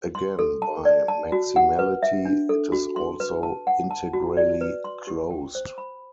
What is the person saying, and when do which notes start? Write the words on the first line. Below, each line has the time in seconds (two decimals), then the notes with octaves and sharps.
Again by maximality it is also integrally closed.
0.15 C6
0.39 A4
0.62 A5
0.85 D5
1.08 A5
1.32 F#4
1.56 F#5
1.79 B4
2.03 E5
2.25 D4
2.49 A4
2.72 F#4
2.96 C6
3.20 B4
3.43 A5
3.67 F#5
3.91 A5
4.13 F#4
4.37 D5
4.61 B4
4.84 C6
5.07 G4
5.30 G5
5.55 C5
5.78 B5